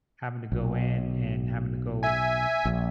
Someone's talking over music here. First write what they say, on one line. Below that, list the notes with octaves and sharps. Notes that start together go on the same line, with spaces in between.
having to go in and having to go,
B1
E5 G#5
A#1